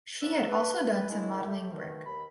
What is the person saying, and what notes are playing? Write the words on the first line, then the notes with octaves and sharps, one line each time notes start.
She had also done some modeling work.
F3 A3 C#4 B4 D5 E6
B4
D#3 G#3 A#3 D4 E4
A3 G4
B2 D#3 A3
D#2 B5